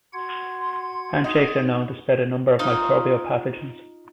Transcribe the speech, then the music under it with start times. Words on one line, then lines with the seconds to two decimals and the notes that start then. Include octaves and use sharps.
Handshakes are known to spread a number of microbial pathogens.
0.13 F#4 F#5 C6 G#6
1.24 D#4
2.59 D#4 F4